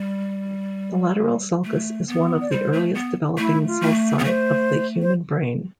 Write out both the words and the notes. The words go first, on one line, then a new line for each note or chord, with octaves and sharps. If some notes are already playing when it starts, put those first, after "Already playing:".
The lateral sulcus is one of the earliest-developing sulci of the human brain.
Already playing: G3
A3
B3
D5
G3 C5
A3
B3
A3 E4
F4
A3
B3
A3 C5
C5